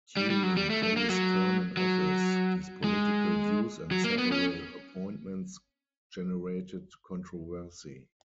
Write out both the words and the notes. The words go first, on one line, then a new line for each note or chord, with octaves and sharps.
During Kelly's term in office, his political views and several appointments generated controversy.
G3
G3
F#3
G3
A3
A3
A#3
F#3
F#3
G#3
F#3
A#3
B3
C#4